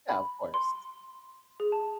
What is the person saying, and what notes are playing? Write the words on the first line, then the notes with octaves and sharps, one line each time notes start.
Yeah, of course.
B5
C6
G#4
A5